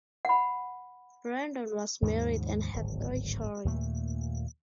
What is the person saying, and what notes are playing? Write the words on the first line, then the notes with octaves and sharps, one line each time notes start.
Brandon was married and had three children.
F#5 B5
D#2 G#2 C#3 F3
D1 G#1
D#2 A#2 A3